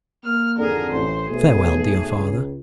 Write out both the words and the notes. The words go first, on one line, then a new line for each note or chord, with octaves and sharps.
Farewell, dear father!
A#3 F6
G#1 F2 D3 G#4 A#4
A1 C5
B1 B2 A3 G#4
C#2